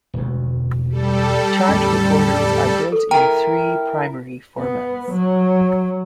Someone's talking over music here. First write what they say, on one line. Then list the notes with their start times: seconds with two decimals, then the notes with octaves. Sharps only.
Chart recorders are built in three primary formats.
0.14 E1 D2
0.89 G3 A4
1.69 D1 E2 C#4
2.92 A4
3.11 E4 A#4 G5
4.58 B3
5.12 F#3